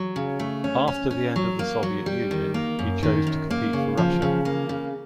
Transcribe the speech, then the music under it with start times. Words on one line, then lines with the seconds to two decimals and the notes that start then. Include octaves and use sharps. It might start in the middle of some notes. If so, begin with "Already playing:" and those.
After the end of the Soviet Union, he chose to compete for Russia.
Already playing: F#3
0.16 C#3
0.39 A3
0.64 C#4
0.88 C#4
1.11 C#4
1.36 F#3
1.59 A#3
1.83 F#3
2.06 G3
2.31 D#3
2.54 A#3
2.79 F#2
3.03 D#3
3.27 F#2
3.50 A#3
3.73 C#3
3.97 F3
4.22 C#3
4.45 A#3
4.69 C#3